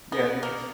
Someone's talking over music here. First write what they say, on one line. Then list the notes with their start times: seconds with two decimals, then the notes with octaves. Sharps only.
Yeah, you just
0.12 B3
0.43 A#3